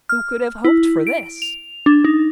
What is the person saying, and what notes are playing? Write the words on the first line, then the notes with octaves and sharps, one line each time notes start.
Who could have hoped for this?
F6
E4
D7
F7
D4
D#4